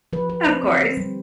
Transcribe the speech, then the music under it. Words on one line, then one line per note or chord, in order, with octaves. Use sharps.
Of course.
F3 B4
F3 B4
C4 C5
C4
D3
G3